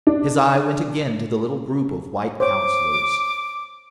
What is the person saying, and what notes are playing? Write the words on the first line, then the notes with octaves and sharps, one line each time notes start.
His eye went again to the little group of White Councillors.
D4
C5 C#5 D6